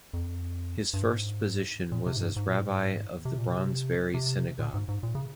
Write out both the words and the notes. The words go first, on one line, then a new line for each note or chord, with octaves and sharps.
His first position was as rabbi of the Brondesbury synagogue.
F2
G2
G#2
A#2
C3
G#2
G2
G#2
A#2
G#2
C3
A#2
C3
C3
A#2
G#2
G#2
A#2
C#3